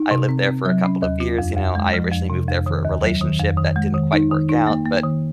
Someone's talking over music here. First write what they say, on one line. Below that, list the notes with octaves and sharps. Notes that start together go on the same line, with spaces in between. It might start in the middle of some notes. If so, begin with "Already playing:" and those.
I lived there for a couple of years, you know, I originally moved there for a relationship that didn't quite work out, but,
Already playing: D#4
C3
C4
C4
F#3
C#4
D#2
F4
F2
F2
G#3
F3
F2
C3
F2
D#3
D#2
F#3
D#3
F2
D#3
G#3
D#3
D#4
D#3
D#4
A#3
A#3
D#3